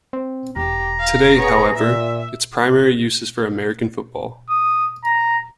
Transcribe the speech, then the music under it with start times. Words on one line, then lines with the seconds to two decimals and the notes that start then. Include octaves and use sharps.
Today, however, its primary use is for American football.
0.13 C4
0.56 E1 G4 A#5
1.00 F5
1.35 B3 G#4 C#5
1.75 A#2 E5
4.50 D#6
5.04 A#5